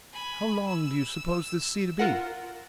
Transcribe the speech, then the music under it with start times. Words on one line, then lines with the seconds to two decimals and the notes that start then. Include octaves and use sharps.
"How long do you suppose this sea to be?"
0.13 G#5 B5
0.67 E6
1.99 F4 A#4 F#5